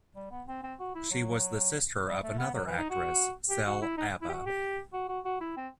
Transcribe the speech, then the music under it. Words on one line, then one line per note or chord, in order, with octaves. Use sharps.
She was the sister of another actress, Cele Abba.
G3
B3
C4
C4
F#4
E4
F#3
G3
A3
B3
F#3
E3
D#4
F#4
G4
F#4
E4
D#4
E4
G4
F#4
G4
F#4
F#4
F#4
E4
C4